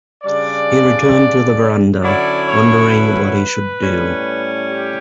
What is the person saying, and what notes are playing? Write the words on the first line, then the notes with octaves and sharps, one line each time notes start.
He returned to the verandah wondering what he should do.
C#3 G3 D4 D5
D3 F#3 C#4 E4 D5
C#5
B4
A2 G3 C#4
G4